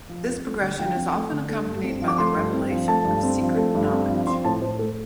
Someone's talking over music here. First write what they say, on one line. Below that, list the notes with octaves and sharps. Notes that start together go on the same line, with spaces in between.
This progression is often accompanied by the revelation of secret knowledge.
F3
F2
A3
D3
F3 G5
F2
A3
D3
A3
G2
C4
F3
D6
A3 C6
G2
C4
F3
A3 A5
G2
C4
F3
A3
G2
C4
F3
C4 C6
A2 A5
A2 C5
A3 A4